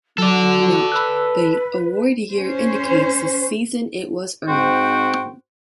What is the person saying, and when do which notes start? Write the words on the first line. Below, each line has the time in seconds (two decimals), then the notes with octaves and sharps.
Note: The award year indicates the season it was earned.
0.18 F#3 F#4 A4 D5
0.92 B4 B5 E6 F#6
2.33 C#4 C5
4.47 G#2 C4 F#4 C5 G5